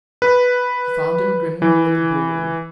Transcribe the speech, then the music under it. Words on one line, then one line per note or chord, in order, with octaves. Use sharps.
She found him grinning over the bowl.
B4
E3